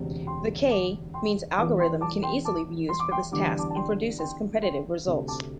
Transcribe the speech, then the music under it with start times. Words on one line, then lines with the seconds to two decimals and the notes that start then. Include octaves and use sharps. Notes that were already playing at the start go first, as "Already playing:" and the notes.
The "k"-means algorithm can easily be used for this task and produces competitive results.
Already playing: E1 D2 C3
0.27 G5 C6
0.70 A5 D6
1.14 G5 C6
1.58 E1 E2 E3 A5 D6
1.80 G5 C6
2.01 A5 D6
2.23 G5 C6
2.45 A5 D6
2.89 C6
2.99 D6
3.11 G5 C6
3.31 E2 D3 G3 D6
3.59 A5 D6
3.70 A5
3.75 G5 C6
4.19 G5 C6
4.62 G5 C6
5.07 D2 C3 A3
5.28 A5 D6